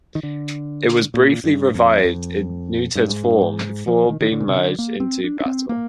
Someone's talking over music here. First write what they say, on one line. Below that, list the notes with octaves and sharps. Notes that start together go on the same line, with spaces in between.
It was briefly revived in neutered form before being merged into "Battle".
D#3
D3
A#2
G2
F2
F2
G2
G#2
G2
G#2
F3
D#3
D#3
D3
A#2
C3
D3
A#3
C4
D4
D4
C4
A#3